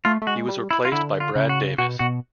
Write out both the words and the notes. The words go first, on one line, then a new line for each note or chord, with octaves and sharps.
He was replaced by Brad Davis.
A3 F4
A3
G#3 F#4
G3
E4
F4
D3 E4
F4
C#3
F#4
B2 F#4
B2 F#4